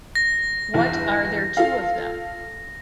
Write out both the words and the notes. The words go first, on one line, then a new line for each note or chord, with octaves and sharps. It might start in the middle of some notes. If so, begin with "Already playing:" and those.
What are there two of them?
A#6
G1 E2 E4
F4 A4 F5